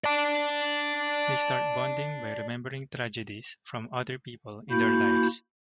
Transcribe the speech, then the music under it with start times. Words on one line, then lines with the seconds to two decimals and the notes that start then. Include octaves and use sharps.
They start bonding by remembering tragedies from other people in their lives.
0.04 D5 A5
4.70 A#3 E4 F#4 B5 G6